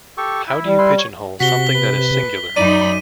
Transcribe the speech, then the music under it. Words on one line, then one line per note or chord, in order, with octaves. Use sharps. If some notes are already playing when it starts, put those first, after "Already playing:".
How do you pigeonhole something that is singular?
G4 A4 C#6
E4
G3
E4 B4 C6
C#5
C3 F#4 B6 G7
B4
F#2 D#4 D5 B5 D#7